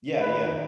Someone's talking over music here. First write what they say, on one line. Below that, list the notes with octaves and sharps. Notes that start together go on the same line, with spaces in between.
Yeah, yeah.
D#2 D#3 A#3 B4